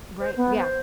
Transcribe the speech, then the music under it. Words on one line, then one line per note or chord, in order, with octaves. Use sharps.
Right, yeah.
C5
B3
C5